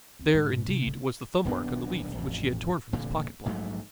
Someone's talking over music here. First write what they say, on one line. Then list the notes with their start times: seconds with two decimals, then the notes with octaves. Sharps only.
There, indeed, was the thumb-mark on the leaf which he had torn from his pocket-block.
0.19 D#2 C4
0.34 C#2 G#2
0.67 C3 D4
0.86 D3 A3
1.45 D#1 B1 B3 D4
2.15 A1 F2
2.93 F1 A#2 D3
3.46 A#1 G#2 F#3 A3